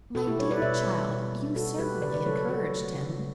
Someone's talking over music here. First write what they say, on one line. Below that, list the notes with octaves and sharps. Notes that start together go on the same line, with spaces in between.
"My dear child, you certainly encouraged him."
B2 F#4 A4
E4 G4
G3 A4 C#5
B4 D5
B2 C#5 E5
G3
B2
G3
B2 F#4 A4
G3 G4 B4
C#3 B4 D5
B4 D5
F#3 A3 A4 C#5
A4 C#5
C#3 F#4 A4
F#3 A3
C#3
A3